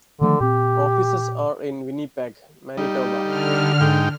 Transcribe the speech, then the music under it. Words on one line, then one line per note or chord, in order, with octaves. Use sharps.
Offices are in Winnipeg, Manitoba.
D3 D#3 F3 A3
A#2 C4 G4
G3 D#4
D3 F6
G#2 D#4 G5